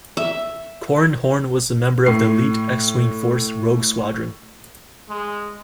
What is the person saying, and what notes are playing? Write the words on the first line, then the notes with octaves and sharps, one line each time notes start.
Corran Horn was a member of the elite X-wing force Rogue Squadron.
E5
A2 C7
G#3